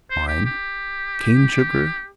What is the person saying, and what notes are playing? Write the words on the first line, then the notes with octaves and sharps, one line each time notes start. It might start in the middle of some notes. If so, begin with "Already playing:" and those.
Wine. Cane sugar.
C5
G4
G4